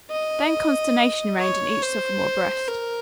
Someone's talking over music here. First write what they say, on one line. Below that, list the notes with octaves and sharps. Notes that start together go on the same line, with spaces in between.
Then consternation reigned in each sophomore breast.
D#5
C#5
C5
A#4